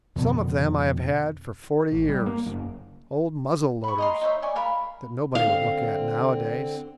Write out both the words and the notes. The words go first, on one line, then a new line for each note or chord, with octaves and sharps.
Some of them I have had for forty years, old muzzle-loaders that nobody would look at nowadays.
F2 B2 D3 D#3
A1
G3
A#3
F#1
B5 C#6
D#5 A#5 C6
D#4 C5 C#5 E5
D5 G#5 C#6
A#4 F5 B5
D3 C4 F5